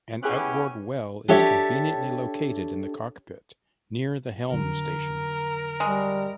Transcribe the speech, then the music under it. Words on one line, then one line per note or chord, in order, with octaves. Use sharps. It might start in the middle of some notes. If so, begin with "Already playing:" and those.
An outboard well is conveniently located in the cockpit near the helm station.
B3 C#4 E4 G4 G#4 F#6
D4 G4 A4 C#5 E5
F2 D3 F#3 A#4
G3 G#3